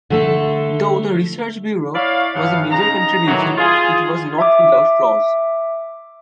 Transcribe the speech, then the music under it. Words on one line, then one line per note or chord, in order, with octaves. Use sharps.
Though the research bureau was a major contribution, it was not without flaws.
D3 A3 A4
E4 C#5 D5 F5
G2 E3 B3 E4 F5
C#3 D#4 A#5
A2 D#3 E3 F#3
F4 G#4
E5 D6